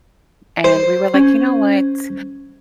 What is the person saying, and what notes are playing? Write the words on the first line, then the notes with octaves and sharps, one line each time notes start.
and we were like, "You know what?
C5
C#4